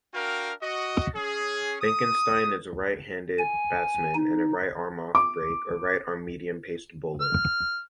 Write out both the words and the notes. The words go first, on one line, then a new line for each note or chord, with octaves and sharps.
Benkenstein is a right-handed batsman, and a right-arm off-break or right-arm medium paced bowler.
D4 F#4 A#4 F5 G5
F#4 D#5
C#4 G#4
D#6
G#5
D#4
D6
F6